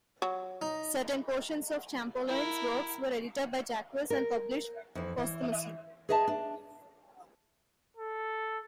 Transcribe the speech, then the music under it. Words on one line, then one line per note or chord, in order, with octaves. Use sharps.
Certain portions of Champollion's works were edited by Jacques and published posthumously.
F#3
D#4
E4 A#4
A#4
F2 E3
E3
G#4 B4 D#5 E5 F#5 A5
D4
A4